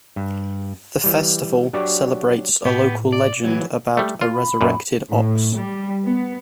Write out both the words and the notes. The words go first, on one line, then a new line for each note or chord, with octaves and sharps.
The festival celebrates a local legend about a resurrected ox.
G2
E3 G3
F#3 D4 G4 C#5 D5
A2 B3 G4
D5
E3 F#3
G3 A3
F4
B5
F#2 A#2
A2
G3
B3